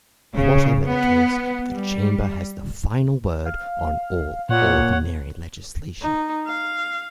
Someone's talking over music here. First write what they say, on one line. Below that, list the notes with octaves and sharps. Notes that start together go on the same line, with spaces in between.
Whatever the case, the Chamber has the final word on all "ordinary legislation".
C#3
B3
G3
F5
A#2 C#5 F#5
D#4
F5